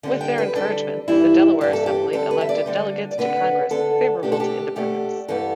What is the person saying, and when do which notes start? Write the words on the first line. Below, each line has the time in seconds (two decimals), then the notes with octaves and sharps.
With their encouragement, the Delaware Assembly elected delegates to Congress favorable to independence.
0.03 D3 G3 D4
0.21 G5
0.38 B4
0.55 D3 G3 D4 A4
1.08 G2 E3 G3 D4 E4
1.61 G2 E3 G3 D4 G4
1.73 A4
1.86 G4
2.13 D3 G3 D4 A4
2.31 B4
2.41 E5
2.49 D5
2.66 D3 G3 D4
3.11 D5
3.18 D3 B3 D4 B4
3.70 D3 B3 D4 A4
4.23 B2 A3 D4 G4
4.32 A4
4.40 G4
4.76 B2 A3 D4 G4
5.28 G2 E3 G3 B3 A4